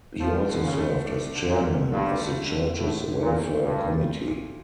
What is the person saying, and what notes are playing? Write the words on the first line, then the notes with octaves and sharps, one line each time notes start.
He also served as chairman of the church's Welfare Committee.
F3 A3
D3
C#3
A3
D4
D3
A#2
D3
G2 D3
A3
D3
A2 D3
D3
A#2
A3
G2 A#2
A3
A#2